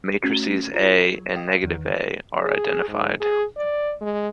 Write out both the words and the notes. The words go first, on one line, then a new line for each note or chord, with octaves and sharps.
The matrices "A" and "-A" are identified.
A3 C#4 F#4 A#5
F4 G#4 C#5 A#5
F#3
D#5 F5 G5 D#6
E2 D#3
G#4
G#2
G#4
D5
G#3